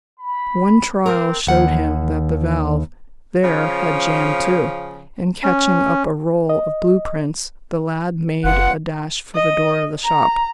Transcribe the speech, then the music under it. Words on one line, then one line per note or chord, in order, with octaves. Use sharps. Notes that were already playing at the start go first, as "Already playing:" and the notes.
One trial showed him that the valve there had jammed too, and catching up a roll of blue prints the lad made a dash for the door of the shop.
B5
A#3 C4 A#4
D#2 F#5
C#3 F3 C#4
C#4
D#5
F#1 F4 B4 F#5
D#5
A#5